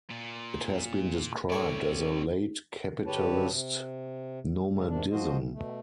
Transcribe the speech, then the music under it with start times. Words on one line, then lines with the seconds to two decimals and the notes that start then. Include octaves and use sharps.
It has been described as a "late capitalist nomadism".
0.10 A#2
1.50 A2 C4 C#5 D5 G#5
3.07 G2 D3 G4 B4 C#5 A5
3.50 C3
4.70 G#2 C#3
4.88 G#2 C3 D#3 D4
5.11 F3 G#3 F#4 C5 D#5
5.53 B2 A3